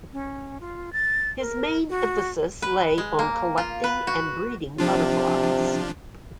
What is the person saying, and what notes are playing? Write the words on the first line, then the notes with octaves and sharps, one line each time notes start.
His main emphasis lay on collecting and breeding butterflies.
C#4
F4
A6
A#4
F#4
B4
G#3
A#3
F4
B4
F#4
C3 F3 D4 F4